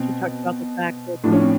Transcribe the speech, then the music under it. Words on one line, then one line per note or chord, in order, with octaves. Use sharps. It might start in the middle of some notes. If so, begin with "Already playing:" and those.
she talked about the fact that
Already playing: B2 C4
A2 F3 C#4 D4
C4